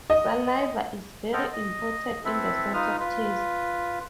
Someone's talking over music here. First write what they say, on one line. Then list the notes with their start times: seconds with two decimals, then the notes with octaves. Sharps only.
Saliva is very important in the sense of taste.
0.10 D#5
1.33 B3 A4 C5 D#5 G5 F6
1.53 D#5
2.25 C4 E4 A4 B4 E5
2.74 D#4 F4 B4 D#6 F6
3.00 F4 B4